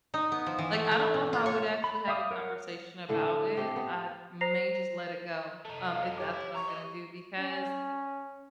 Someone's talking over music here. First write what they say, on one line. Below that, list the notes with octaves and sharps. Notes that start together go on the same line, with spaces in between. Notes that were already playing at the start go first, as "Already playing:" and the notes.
like, I don't know if I would actually have a conversation about it. I may just let it go, um, if that's what I'm gonna do, because,
D#4
B3
F3
E3
A3
A3
B2
F4
C#5
B5
E5 F5 D6 D#6
A#4 C#5 F#5
A2 D3 A3 A4
A3 C4 G4
B3
C5 A#5 A#6 C7 F7
A3 D#4
F5
G4 C#5 D6
E4
A#5 C#6
D#5
C#4